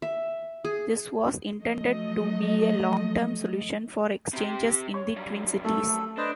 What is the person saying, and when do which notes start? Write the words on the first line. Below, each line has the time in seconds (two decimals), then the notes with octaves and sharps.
This was intended to be a long-term solution for exchanges in the Twin Cities.
0.02 E5
0.65 G#4
1.60 F3 F#3 A3 D#5
4.34 C3 G4
4.94 C#5
5.16 F#2 G3
5.65 A3 A4
6.18 D4 B4 C5 D#5